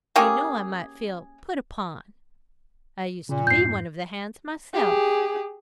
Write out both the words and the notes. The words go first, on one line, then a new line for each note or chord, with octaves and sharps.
You know I might feel 'put upon.' I used to be one of the hands myself.
A#3 C#4 G4 G#4
A#2 C#3
F2 G#2 G6 C7
G4 G#4